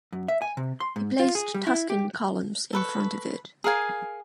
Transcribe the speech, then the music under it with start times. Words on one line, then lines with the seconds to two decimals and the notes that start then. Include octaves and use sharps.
He placed Tuscan columns in front of it.
0.12 F#2
0.28 E5
0.42 G#5
0.57 C3
0.80 C6
0.96 G#2
1.20 F4
1.35 G#4
1.54 G3
1.67 E4
1.90 G4
2.73 A4 B4 C#6
3.64 G#4 A#4 F5 G#5